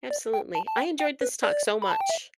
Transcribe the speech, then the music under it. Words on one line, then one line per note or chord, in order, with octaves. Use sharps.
Absolutely. I enjoyed this talk so much.
D5
G5
A5
A5
G5
G5
B4
D5
B5
A5
G5
E5